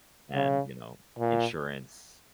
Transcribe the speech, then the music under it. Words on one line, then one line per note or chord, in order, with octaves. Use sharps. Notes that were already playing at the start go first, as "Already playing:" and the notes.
and, you know, insurance
C#3
A#2